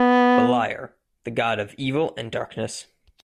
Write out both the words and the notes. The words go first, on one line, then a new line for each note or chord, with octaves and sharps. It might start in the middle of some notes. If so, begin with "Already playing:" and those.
Beliar, the god of evil and darkness.
Already playing: B3